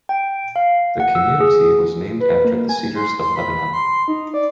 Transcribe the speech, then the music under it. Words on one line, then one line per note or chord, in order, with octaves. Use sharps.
The community was named after the Cedars of Lebanon.
G5
F5
F#5
E6
G#4
B4
A#3
G#5
C6
C6
B5
C6
D#4
D5